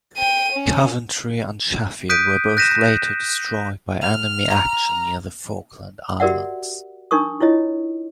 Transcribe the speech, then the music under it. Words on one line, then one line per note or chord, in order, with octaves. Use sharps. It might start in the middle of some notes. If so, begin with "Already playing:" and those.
"Coventry" and "Sheffield" were both later destroyed by enemy action near the Falkland Islands.
G5 D#7
C#4
D#6 F#6 G6 B6 D7 D#7
F#6 G6 A#6 B6 D#7 E7
F6
A#5
F#4 G4 A#4 D5 E5 F#5
D4 D#4 A#4 C#6 D#6
E4 F4 C#5 D#5